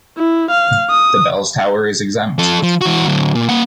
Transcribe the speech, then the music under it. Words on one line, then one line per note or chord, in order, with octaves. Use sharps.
The bells tower is exempt.
E4
F5
D#6
F3 A4
F3
E3 F#4
D2 F#3
A#2
A#3 F#5